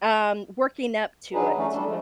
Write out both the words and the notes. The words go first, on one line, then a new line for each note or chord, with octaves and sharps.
um, working up to it.
F#3 D4 D#4 G#4 B4
E3 A3 C#4
G3 D4 A4
F3 G#3 A3